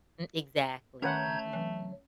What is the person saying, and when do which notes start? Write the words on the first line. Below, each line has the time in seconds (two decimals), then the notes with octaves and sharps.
M exactly, mhm.
1.02 D#3 A3 C#4 B4 F#5 A#5 G6 G#6
1.53 E3 F#3